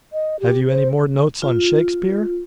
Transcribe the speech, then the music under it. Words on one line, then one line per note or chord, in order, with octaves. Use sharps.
Have you any more notes on Shakspeare?
D#5
G4
C5
F4